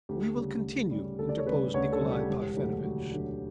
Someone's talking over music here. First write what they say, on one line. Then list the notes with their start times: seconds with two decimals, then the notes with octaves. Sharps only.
"We will continue," interposed Nikolay Parfenovitch.
0.09 D2 G4
0.36 C#3 G3
0.64 D2
0.91 C#3 G3
1.19 D2 A4
1.29 D5
1.38 C#5
1.46 C#3 G3 B4
1.74 D2 C#5
1.93 A4
2.01 C#3 G3
2.11 G4
2.29 E1
2.57 D2 D3 F#3
2.83 E1 F#4
3.12 D2 D3 F#3